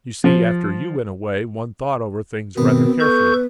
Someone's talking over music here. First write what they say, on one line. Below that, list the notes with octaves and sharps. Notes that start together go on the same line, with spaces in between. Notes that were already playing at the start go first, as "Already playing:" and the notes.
You see, after you went away one thought over things rather carefully.
F3
B2 D#3 B3 C4
A4 B4 C#6 G6